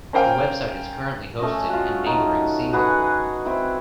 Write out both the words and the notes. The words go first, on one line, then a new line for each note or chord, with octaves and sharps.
The website is currently hosted in neighbouring Singapore.
C#4 A#4 C5 F5 G5 G#5
A3 C#4 D#5
F4 F#4
D#4
F#4 G#4 B4 F#5
C4 E4